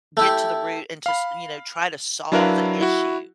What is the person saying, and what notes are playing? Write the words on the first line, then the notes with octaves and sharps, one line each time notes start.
get to the root and to s you know, try to solve the issue.
A3 E4 G4
F5 B5
F#3 D4 E4 A#4 B4 F5
E4 F#4